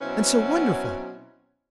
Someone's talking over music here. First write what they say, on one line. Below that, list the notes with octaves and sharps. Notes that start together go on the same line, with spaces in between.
And so wonderful!
B2 F#3 C4 C#4 E4 B4